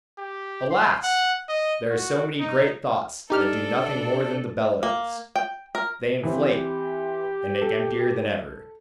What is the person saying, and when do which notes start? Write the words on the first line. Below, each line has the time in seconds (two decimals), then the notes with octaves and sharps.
Alas! there are so many great thoughts that do nothing more than the bellows: they inflate, and make emptier than ever.
0.18 G4
0.70 C6
1.03 F#5
1.49 D#5
1.90 F#4
2.40 D#4
3.30 D4 D#4 G4 A4 F6
4.83 A#3
5.36 G5
5.75 A#4
6.23 E3 C4 G4
7.62 A4